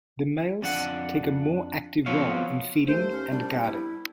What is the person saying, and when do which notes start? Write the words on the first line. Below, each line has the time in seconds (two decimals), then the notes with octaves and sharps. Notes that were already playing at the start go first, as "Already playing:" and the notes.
The males take a more active role in feeding and guarding.
0.62 F2 D4 F#5
2.06 F3 B3 C4 F#4 C#5 F5
2.87 D#2 A3 C5
3.11 C#4
3.31 C2 G3 D4
3.49 B3
3.63 E4